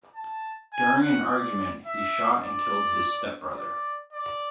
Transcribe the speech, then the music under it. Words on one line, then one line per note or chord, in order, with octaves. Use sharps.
During an argument, he shot and killed his stepbrother.
A5
G#5
F#5
D5
E5
D5
D5
D5